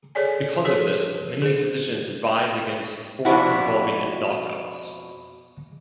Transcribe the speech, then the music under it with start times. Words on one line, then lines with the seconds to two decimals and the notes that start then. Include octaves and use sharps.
Because of this, many physicians advise against sports involving knockouts.
0.15 G#4 A4 C#5 D5 G#5
0.65 F3 F#4 G#4 A4 C#5
1.42 G#4 C5
2.27 G5
3.25 F2 B2 G3 D4 E4 F#4